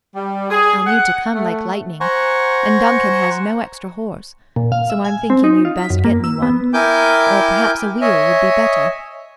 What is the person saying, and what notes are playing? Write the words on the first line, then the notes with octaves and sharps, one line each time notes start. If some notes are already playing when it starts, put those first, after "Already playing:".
I'll need to come like lightning, and Duncan has no extra horse, so I'm thinking you'd best get me one--or perhaps a wheel would be better.
G3
G#4
F#5
A3
C5 F#5 G#5 A#5 C#6
A#2
F5
E5
G#5
C4
D#4
F4
B6
F#2
A#3
E6
B3
E4 A#4 G5 G#5 D6 G6
C#5 D#5 E5 G#5